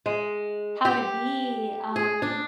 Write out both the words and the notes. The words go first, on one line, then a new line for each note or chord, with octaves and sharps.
how to be, um,
G#3
G4
G#4
D4